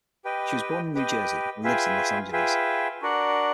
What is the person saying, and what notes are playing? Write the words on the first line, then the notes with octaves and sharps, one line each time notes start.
She was born in New Jersey and lives in Los Angeles.
G4 B4 D#5 G5
G4 B4 D#5 G5
F4 G#4 B4 E5 G5
F4 G#4 B4 E5 G5
D4 F#4 A#4 D5 F#5